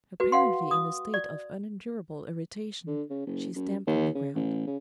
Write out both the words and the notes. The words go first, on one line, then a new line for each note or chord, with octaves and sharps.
Apparently in a state of unendurable irritation, she stamped on the ground.
F#4 B4
F5 F#5 C6
D#6
D5
D3
C#3
F#1
F#2
D#2
C#3
A1
C#3